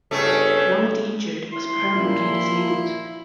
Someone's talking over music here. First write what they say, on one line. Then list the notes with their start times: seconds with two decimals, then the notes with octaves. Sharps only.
One of the injured was permanently disabled.
0.11 G1 C#3 A3
0.74 A3
1.52 E4 C6
1.95 A#2 F3 C#4 E4 F4